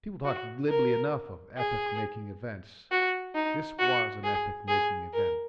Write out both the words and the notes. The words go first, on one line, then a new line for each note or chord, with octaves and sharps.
People talk glibly enough of epoch-making events; this was an epoch-making event.
F#4
A#4
G#4
F#4
D#4
F#4
G#4
G#4
A#4